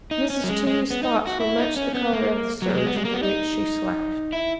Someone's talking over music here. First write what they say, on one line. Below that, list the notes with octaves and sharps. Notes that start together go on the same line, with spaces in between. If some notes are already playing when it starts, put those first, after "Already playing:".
Mrs. Toomey's thoughts were much the color of the serge into which she slashed.
D#4
C#4
F#3
G#3
G#3
B3
D#4
F#4
E4
D#4
C#4
B3
A#3
F#3
A#3
G#3
B3
G#3
A#3
B3
D#4
E4